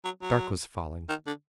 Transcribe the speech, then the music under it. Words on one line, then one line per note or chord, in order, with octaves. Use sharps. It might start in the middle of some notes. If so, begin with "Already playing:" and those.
Dark was falling.
F#3
F#3
D#3
D3